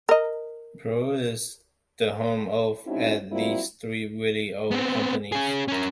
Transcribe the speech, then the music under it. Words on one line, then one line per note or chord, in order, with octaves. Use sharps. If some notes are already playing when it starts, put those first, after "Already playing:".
Peru is the home of at least three very old companies.
A#4 D#5
G#3 C4 C#4 D#4 E4 F#4
F#3 G3 A#3 C4 E4 F4
B3 C4
C#4 G#4
C#4 A#4